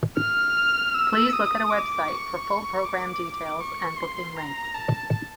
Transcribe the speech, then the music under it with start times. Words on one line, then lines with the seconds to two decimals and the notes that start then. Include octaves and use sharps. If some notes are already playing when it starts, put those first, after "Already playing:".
Please look at website for full programme details and booking links.
0.18 F6
0.95 E6
1.33 D#6
1.70 D6
2.08 C#6
2.85 D6
3.60 C#6
3.98 C6
4.37 A#5
4.75 A5